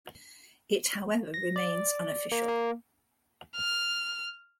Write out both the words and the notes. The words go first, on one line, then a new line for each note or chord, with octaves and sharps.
It however remains unofficial.
A#6
D5
A#3
A#3
F6